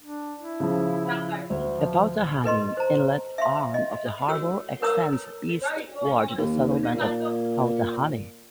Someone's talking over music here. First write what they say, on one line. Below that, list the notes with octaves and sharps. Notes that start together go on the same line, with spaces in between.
The Pauatahanui Inlet arm of the harbour extends eastward to the settlement of Pauatahanui.
D4
E4
C#3 F3
D2
F3
A4 B4 D#5 C6
C5 A#5
E5 F5 C6
D#5
F#4 A4 C#5 E6
A#4 B4 C#5 A#5 D#6 E6
D#2
A#2